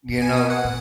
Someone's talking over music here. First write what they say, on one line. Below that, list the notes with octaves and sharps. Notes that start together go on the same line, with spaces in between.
you know,
B2
G#5
F#5
A#2